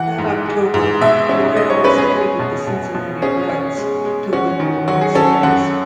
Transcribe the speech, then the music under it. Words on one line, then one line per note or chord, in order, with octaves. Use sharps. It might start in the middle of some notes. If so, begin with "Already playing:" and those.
That October, the Orioles defeated the Cincinnati Reds to win the World Series.
Already playing: E3 F#5
G#2
G#3
G#2
B2 E5
C#4
G#3 D#5
C#5
C#4 B4
G#4
G#3
B2
B2
B2
C#4 G#4
C#4
G#3
G#3
C#4 F#4
D#3
F#3 F#4
G#4
C#4 A4
F#2 F#5